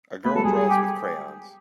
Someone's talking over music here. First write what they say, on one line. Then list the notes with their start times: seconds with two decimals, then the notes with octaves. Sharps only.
A girl draws with crayons.
0.25 A3 B3 B4
0.35 F#3 G#3 A4
0.44 G3 G#4
0.55 G#4
0.70 G4